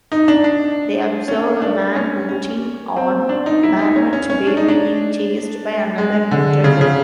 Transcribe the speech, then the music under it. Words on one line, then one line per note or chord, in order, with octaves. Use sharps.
They observe a man boating on Barmet Bay being chased by another motorboat.
D#4
D4
D4
C#4
D4
C#4
C#4
C4
D4
D#4
E4
D#4
C#4
C#4
C#4
D4
D#4
D4
G#3
D3
C#3
C#3